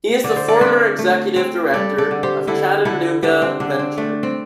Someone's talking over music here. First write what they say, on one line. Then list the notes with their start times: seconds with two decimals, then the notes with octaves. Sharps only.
He is the former executive director of Chattanooga Venture.
0.24 D3 D5
0.36 C5
0.48 A4 D5
0.61 C4 C5 E5
0.99 A3
1.36 C4
1.73 G3 A4 D5
1.98 A4 D5
2.11 D3
2.23 G4 C5
2.47 D3 E4 A4
2.85 D3 E4 A4
3.23 D3 D4 G4
3.42 C4
3.60 D3 D4
3.79 C4
3.98 A3 D4
4.23 C4